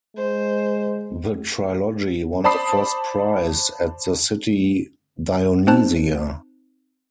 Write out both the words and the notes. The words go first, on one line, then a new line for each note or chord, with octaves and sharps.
The trilogy won the first prize at the City Dionysia.
G#3 C5
C5 D5 A5 B5 D#6 C7
C4 D#4 C5 A5 F#6